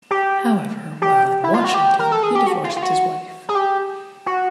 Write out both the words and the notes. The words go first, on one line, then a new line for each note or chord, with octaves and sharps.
However, while in Washington, he divorced his wife.
G4
G4
E4
F4
F#4
G4
A#4
A4
G#4
G4
F#4
F4
F4
F#4
G#4
G4
F#4